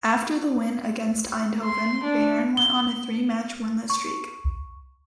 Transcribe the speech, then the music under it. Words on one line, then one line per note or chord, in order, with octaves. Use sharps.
After the win against Eindhoven, Bayern went on a three match winless streak.
C6
D4
G7
C#6